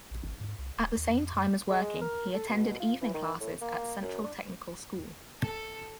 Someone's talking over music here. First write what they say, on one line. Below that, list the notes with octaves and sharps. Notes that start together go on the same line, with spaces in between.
At the same time as working, he attended evening classes at Central Technical School.
A#1
G#1
G#2
C2
D1
D#2
F2
F#2
G#3
A#4
A4
B2
F4
E3
D#3
A2
A#3
F#2
D4
A4